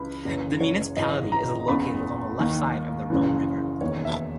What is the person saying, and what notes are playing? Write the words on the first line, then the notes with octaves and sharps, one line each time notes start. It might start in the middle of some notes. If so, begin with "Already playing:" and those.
The municipality is located along the left side of the Rhone river.
Already playing: C#2 E3 B5
F#1 F#2 C#3 E3
C#5
G#1 F#2 C#3 E3 D#5
A#5
F#1 E2 C#3 B5
D#2 D#3
F#1 F#2 C#3 E3
E1 D#2 D#3 C#5
E5